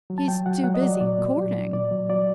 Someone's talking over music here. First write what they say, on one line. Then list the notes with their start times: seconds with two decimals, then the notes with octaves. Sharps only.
"He's too busy, courting."
0.10 F#3
0.18 A5
0.28 F#3 G5
0.46 F#3 F#5
0.64 F#3 F#5
0.74 D#5
0.82 F#3 D5
1.01 A#2 D5
1.18 A#2
1.37 F#3
1.55 F#3
1.73 A#2 D5
1.91 F#3
2.09 F#3 D5